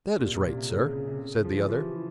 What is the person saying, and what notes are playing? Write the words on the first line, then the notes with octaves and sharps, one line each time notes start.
"That is right, sir," said the other.
A#2 G4
C3 G#4
A#2 G4
C3
C#3 G#4
C#3
C#3
C3
C#3
C#3
F3
E3
F3 G4
E4